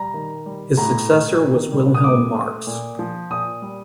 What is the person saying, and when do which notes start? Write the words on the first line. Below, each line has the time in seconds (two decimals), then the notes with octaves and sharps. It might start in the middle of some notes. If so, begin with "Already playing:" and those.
His successor was Wilhelm Marx.
Already playing: G3 A#5
0.14 D#3
0.46 G3
0.77 A2 A#5
1.09 A3
1.41 D#3
1.72 G3
1.94 D#6
2.04 A2 D6
2.35 A3
2.67 A#2
2.99 F3
3.30 A#2 D#6
3.62 G3